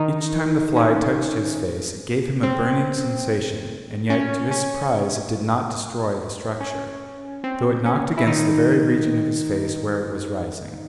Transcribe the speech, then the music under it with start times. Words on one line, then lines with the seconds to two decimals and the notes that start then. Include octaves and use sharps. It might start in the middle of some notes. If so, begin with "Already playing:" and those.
Each time the fly touched his face it gave him a burning sensation and yet to his surprise it did not destroy the structure, though it knocked against the very region of his face where it was rising.
Already playing: D#3 D#4
0.76 C#4
2.43 C4
4.10 C#4
4.51 C#4
6.61 C#4
7.44 C4
7.86 C#4
8.18 E4
8.27 D#3 D#4